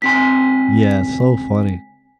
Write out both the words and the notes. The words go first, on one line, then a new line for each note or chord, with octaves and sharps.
Yeah, so funny.
C#2 C4 G#5 C6 B6